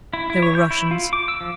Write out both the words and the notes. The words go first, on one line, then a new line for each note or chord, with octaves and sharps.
They were Russians.
E4
E4
C#5
G6
E4
F4
D6
E6
F3